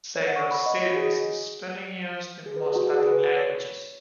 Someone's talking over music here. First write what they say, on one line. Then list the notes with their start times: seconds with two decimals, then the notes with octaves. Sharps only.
Said or Sid is the spelling used in most Latin languages.
0.16 C#5
0.27 F#5
0.36 C#6
0.51 B5
0.66 D#5
0.77 C#5
0.86 F#4
0.96 G#4
2.46 G#4
2.56 B4
2.66 G#4
2.76 F#4
2.86 G#4
2.96 G#4
3.06 B4
3.36 C#5